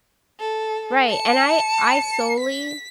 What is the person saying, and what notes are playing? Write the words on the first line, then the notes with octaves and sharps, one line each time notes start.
Right, and I I solely
A4
A5 C#7
B6